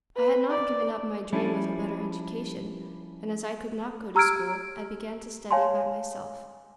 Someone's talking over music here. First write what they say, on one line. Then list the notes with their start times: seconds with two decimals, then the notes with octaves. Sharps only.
I had not given up my dream of a better education, and as I could not go to school, I began to study by myself.
0.16 B4
0.49 D5
1.32 F3 G3 C#4 D4 E4
4.15 G4 A#5 E6 F6 G#6 D7
5.51 C#5 F5 G#5 A5 C6